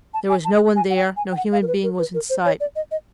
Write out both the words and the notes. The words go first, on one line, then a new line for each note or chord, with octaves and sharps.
There was no one there; no human being was in sight.
A5
G#5
A5
G#5
F#5
G5
G#5
G5
F#5
F5
A#4
B4
A#4
B4
A#4
C5
C#5
D5
D#5
D#5